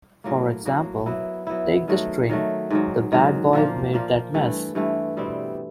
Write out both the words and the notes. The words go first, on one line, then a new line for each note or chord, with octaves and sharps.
For example, take the string "the bad boy made that mess".
A2 F#3 A#3
A2 F#3 A#3
F#3 B3 E4
F#3 B3 E4
D#3 F#3 A3
D#3 F#3 A3
G#2 D#3 F#3
G#2 D#3 F#3
A#2 F3 A#3
A#2 F3 A#3
G2 E3 A3
G2 E3 A3
B2 G3 C4 E4